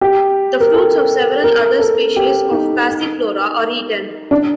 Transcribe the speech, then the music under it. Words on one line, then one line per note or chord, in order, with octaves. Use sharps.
The fruits of several other species of Passiflora are eaten.
G4
A#4
A4
A#4
A4
G4
D#4
D4